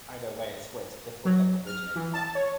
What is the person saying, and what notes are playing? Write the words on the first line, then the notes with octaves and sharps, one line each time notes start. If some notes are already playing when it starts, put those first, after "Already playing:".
either way, it's where it's that's where it, like, originates from.
F#3
F6
E3
A5
C#5